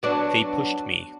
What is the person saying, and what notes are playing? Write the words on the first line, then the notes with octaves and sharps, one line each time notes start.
They pushed me.
F#3 B3 D4